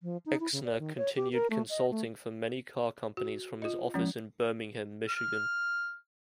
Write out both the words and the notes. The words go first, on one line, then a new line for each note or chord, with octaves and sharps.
Exner continued consulting for many car companies from his office in Birmingham, Michigan.
F3
D#4
E4
C#3
D5
D#3
C#5
G4
A#4
A3
D#5
A3
F#4
F4 D#5
F3 G#3 C#4
F6